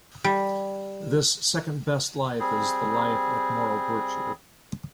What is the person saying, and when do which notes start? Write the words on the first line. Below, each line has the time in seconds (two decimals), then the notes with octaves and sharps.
This second best life is the life of moral virtue.
0.24 G3
2.40 G3 C4 G#4